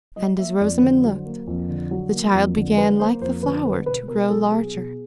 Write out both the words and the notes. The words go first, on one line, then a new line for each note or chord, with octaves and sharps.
And as Rosamond looked, the child began, like the flower, to grow larger.
F#3 D#5
A#3 E5
F2 D5
D3 C5
F#3
A#3
F2
D3
F#3
A#3
F2
D3
F#3 B4
A#3 C5
F2 C5
D3 B4
B3 B4
B2 B4
B2 A#4
F#3 A4
B3 G#4
B2